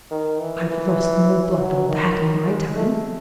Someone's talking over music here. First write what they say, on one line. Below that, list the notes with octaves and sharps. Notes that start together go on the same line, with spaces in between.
I've lost more blood than that in my time!
D#3
E3
E3
F#3
D#3
D#3
G#3
A3